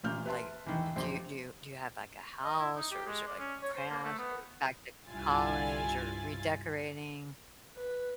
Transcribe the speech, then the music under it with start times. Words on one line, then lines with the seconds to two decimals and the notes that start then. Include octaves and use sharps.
like do do do you have like a house or is there like crafts or back to college or redecorating?
0.03 A1 A#2 A#3 F6 G6
0.26 B4 E5 A5 C6
0.66 E1 D#3 E3
0.96 A#1 F2 G4 C5 C6
2.44 D#5
2.59 E4
2.76 D#4
2.91 G4
3.07 G#3
3.27 D5
3.39 C#4
3.63 C#5
3.76 C5
3.90 A#3
4.04 A3
4.18 B3
5.09 C2 G2 E4 F4 G#5 A6
7.77 B4